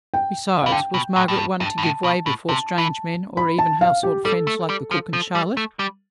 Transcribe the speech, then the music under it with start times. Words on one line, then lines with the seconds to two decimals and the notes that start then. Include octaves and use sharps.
Besides, was Margaret one to give way before strange men, or even household friends like the cook and Charlotte!
0.14 G5
0.62 E3 F5
0.72 D3 G5
0.94 B2
1.16 A2
1.28 A2
1.38 G2
1.60 G2 A5
1.78 G2
1.83 A2
2.04 B2
2.26 A2
2.49 C3 A5
2.78 E3
3.37 B5
3.58 A5
3.81 F5
4.03 G4
4.25 G3 A4
4.47 A3
4.69 G3
4.91 F3
5.13 F3
5.35 G3
5.57 A3
5.79 G3